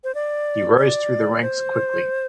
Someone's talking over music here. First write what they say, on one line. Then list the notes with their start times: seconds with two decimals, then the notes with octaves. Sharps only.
He rose through the ranks quickly.
0.04 C5
0.15 D5
0.78 D5
1.42 C5